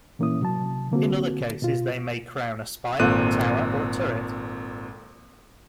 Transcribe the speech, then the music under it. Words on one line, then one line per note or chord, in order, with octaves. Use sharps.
In other cases they may crown a spire, tower, or turret.
A#2 E3 A#3 C#4 E4 D#6
C3 F#3 A5
D3 A#3 C4 F#4
B2 F4
G#1 A#2 C4 A4 F#6 D#7